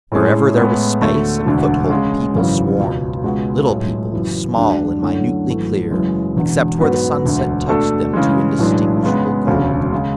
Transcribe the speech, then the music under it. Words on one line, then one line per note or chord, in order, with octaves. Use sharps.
Wherever there was space and foothold, people swarmed, little people, small and minutely clear, except where the sunset touched them to indistinguishable gold.
A2 G#3 C#4 E4 G#4
A2 G#3 B3
D2 D3 A3
E1 D2 D3
C#3 G#3 C#4
G#1 F#2 C#3 E3
C#2 B2 F#3
C#2 B2 G#3 B3 F#4
B1 A2 G#3
F#1 F#2 E3
D2 D3 G#3 D4 F#4
F#2 D3 A3 C#4 E4
G#1 F#2 E3 A3
F#1 F#2 E3 G#3 C#4
E1 E2 D3
G#2 F#3 B3 F#4 B4
E1 D2 D3
B2 A3 D4 A4
C#3 E3 G#3
B1 A2 E3 G#3 D4
C#3 G#3 B3
E1 D2 C#3
C#3 G#3